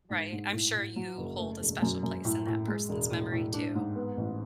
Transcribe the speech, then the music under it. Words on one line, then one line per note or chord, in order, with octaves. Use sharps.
Right. I'm sure you hold a special place in that person's memory too.
G#2
G#2
A2
A2
F#3
F#1
A3
E1
F#2
F#2
A2
A2
G#3
E1
A2
A2
D4
G#2
B3
A1